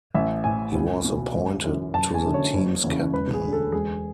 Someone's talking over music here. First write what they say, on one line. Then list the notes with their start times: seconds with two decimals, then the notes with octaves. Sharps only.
He was appointed the team's captain.
0.15 A1 E5
0.44 A2 E3 G#5
0.75 C#2
1.05 B2
1.34 G#1
1.64 F#2 E3
1.94 F#1 A5
2.14 G#5
2.24 F#2 D3
2.34 C#5
2.53 F#1
2.84 E2 C#3 E3
3.13 E1 B4
3.33 G#4
3.44 D2 D3
3.53 A4
3.72 E1 G#4